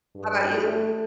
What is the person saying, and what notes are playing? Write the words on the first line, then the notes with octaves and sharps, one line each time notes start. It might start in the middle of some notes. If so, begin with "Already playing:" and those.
How 'bout you?
G2
A3